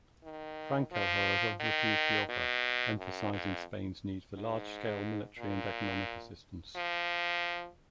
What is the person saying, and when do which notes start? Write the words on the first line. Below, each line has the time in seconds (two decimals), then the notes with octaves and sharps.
Franco however refused the offer, emphasizing Spain's need for large-scale military and economic assistance.
0.23 D#3
0.92 F3
1.60 D#3
2.29 B2
2.98 F#2
3.32 F2
4.35 G#2
5.39 A#2
6.76 F3